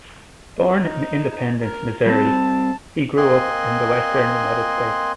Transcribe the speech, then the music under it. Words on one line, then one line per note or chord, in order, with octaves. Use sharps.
Born in Independence, Missouri, he grew up in the western United States.
D#4
A#4
G3 C4 A5
A#3 C4 D#5 G#5 C6 F#6